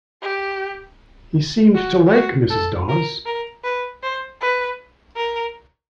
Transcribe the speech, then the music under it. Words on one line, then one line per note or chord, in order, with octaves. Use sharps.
He seemed to like Mrs. Dawes.
G4
F#4
F#4
A4
A#4
A#4
B4
C5
B4
A#4